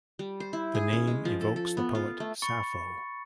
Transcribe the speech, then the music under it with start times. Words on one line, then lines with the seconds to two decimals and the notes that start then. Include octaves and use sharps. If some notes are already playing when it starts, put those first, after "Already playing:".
The name evokes the poet Sappho.
0.19 G3
0.40 C5
0.53 E4
0.75 G#4
0.93 C#4
1.07 G#3
1.25 F3
1.41 A4
1.56 A4
1.77 B3
1.95 F4
2.20 A3
2.42 B5 C#6 A6 C#7